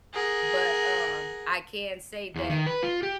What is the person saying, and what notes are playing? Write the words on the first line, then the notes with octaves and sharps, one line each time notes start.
but, um, I can say that,
G#4 A#4 F#5
E2
D#3
B4
F4
G4